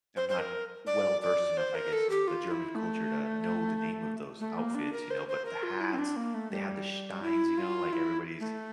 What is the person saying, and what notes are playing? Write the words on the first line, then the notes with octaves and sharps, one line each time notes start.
I'm not well-versed enough, I guess, in the German culture to know the name of those outfits, you know? But, the hats, they had the steins, you know? Like, everybody's
C5
C5
A#4
D5
D5
C5
A#4
A4
G4
F4
E4
A3
A3
A#3
D4
A#4
C5
C5
A#4
F4
E4
C4
D4
A#3
A3
G3
E4
F4
E4
A3